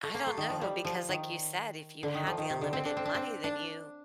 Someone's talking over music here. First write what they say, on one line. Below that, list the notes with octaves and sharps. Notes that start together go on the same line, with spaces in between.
I don't know because like you said, if you had the unlimited money, then you
A3
A#3
A3
D#3
F3
G3
F3
D#3
D3
D#3
F3
D#3
C3
D3
C4
D4
C4
D4
C4
D4